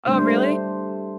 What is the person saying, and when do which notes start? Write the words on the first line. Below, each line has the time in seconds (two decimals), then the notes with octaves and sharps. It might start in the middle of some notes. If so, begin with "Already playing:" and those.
Oh, really?
0.07 G3 A3 D4 C5